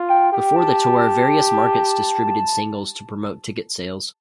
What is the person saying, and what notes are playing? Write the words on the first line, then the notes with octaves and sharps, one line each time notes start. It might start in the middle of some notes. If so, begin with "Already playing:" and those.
Before the tour, various markets distributed singles to promote ticket sales.
Already playing: F4
G5
G4 G5
A5